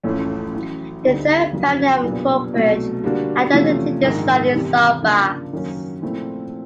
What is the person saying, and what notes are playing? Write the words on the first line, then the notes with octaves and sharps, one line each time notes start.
The third pioneer of corporate identity design is Saul Bass.
A1 A2 F3 A3 C#4
A1 A2 F#3
D2 D3 G3 B3 D#4
F2 C#3 F#3 A#3
B1 A#2 G3 B3 D4
C2 B2 F#3 A3
D3 G3 A#3 D4 F#4
E2 C3 F3 A3 C#4
A#1 G#2 D#3 G#3
E2 C3 D#3 G3
C#3 F3 A#3 D4 F4
F#2 D#3 F#3 A#3 C#4
A#2 F3 A3 C4 E4